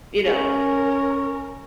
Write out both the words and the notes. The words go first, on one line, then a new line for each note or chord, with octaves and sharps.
You know?
C#4 A#4